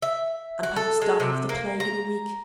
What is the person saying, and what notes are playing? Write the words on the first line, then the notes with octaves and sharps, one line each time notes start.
"And perhaps die of the plague in a week."
E5
F#4
A4
G#3
C3
A#3
A#5